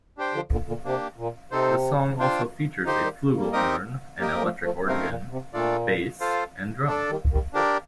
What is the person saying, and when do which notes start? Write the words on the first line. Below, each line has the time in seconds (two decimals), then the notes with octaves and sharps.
The song also features a flugelhorn, an electric organ, bass, and drums.
0.17 D4 G4 C5 G5
0.34 D3 F3
0.52 A#2 D3
0.68 A#2 D3
0.84 C3 A#3 D4 G4
1.18 A#2
1.51 C3 C4 D#4 A4 C5
2.19 D4 F4 C5 G5
2.85 D3 F3 D#4 G4 C5
3.02 D#3 G3
3.36 G3 A#3
3.53 C4 D#4 G4 A#4 D#5
4.19 G3 A#3 G4 A#4 D#5 G5
4.34 A#3
4.42 F3 A3
4.63 F3 A3
4.86 C3 A3 C4 D#4 A#4 F5
5.08 A#2
5.31 C3
5.53 A#2 A3 D4 F4 A4 D5
6.20 F4 A4 C5 F5
6.87 D4 A4 D5
7.09 D#3 G3
7.31 D#3 G3
7.53 D3 F3 D4 G4 A#4 D5